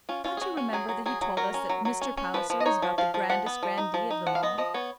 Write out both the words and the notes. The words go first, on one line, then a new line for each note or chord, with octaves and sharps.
Don't you remember that he told us that Mr. Palliser is about the grandest grandee of them all.
C#4 F4
C#4 F4
G#4
C#4 F#4
C#4
F#3 G#4
F#3
F#3 G#4
F#3
F#3 A#4
C#4
F#3
F#3
C#4
C#4
F3 B4
F3
D#5
D#4 C#5
F3
F3 F5
F3
F3 F#5
B3
F3
D#4
F3
D#4
F3 F#5
F5
B3 D#5
F3 D#5
B3 C#5